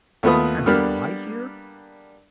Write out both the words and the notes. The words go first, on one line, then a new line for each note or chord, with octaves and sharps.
"Am not I here?"
D#2 A3 B3 F4 B4 D#6
G3 A#3 B3 D4 A4 F6